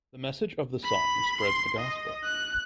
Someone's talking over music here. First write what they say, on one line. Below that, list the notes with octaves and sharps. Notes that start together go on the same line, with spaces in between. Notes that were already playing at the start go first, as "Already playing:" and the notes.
The message of the song spreads the gospel.
B5
C6
D#5
F#6